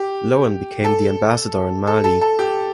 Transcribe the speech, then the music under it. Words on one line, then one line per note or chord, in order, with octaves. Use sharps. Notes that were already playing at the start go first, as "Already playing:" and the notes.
Lowen became the ambassador in Mali.
Already playing: G4
A4
A4
A4
A4
G4